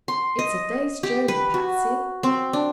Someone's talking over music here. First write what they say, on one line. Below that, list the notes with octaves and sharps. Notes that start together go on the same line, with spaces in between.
"It's a day's journey, Patsy."
C6
D#5
G4
B4
F#4
C4
D4